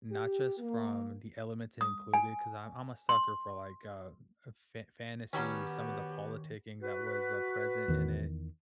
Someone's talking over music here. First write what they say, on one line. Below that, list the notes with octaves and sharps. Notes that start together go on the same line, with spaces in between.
not just from the elements in included, 'cause I'm I'm a sucker for, like, uh, a fa fantasy, some of the politicking that was, uh, present in it,
G4
A#3
D#6
G#5
C6
D#3 F#3 G3 B3 C#4 F#4 G4
F#4 B4
E2 D#3